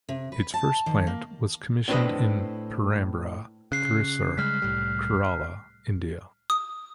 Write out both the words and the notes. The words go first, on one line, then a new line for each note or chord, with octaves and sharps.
Its first plant was commissioned in Perambra, Thrissur, Kerala, India.
C3
B4
A5
D#3
A#3
A2 C4 D4 F4 B4 D#5
C#3 F#6 C7
C#3 G3 G#3 F6 B6
C2 A2 G3
D#6